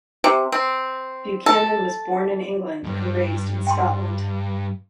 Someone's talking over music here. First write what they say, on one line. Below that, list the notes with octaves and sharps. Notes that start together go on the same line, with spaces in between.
Buchanan was born in England and raised in Scotland.
C3
C4
A4
E2 G2
G5 A5 C6